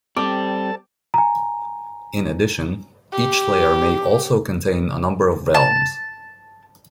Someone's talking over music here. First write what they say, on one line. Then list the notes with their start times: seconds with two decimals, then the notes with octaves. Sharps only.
In addition, each layer may also contain a number of "realms".
0.17 G3 C4 A4 A5 D6
1.14 G#5 A#5
3.12 G4
5.54 A5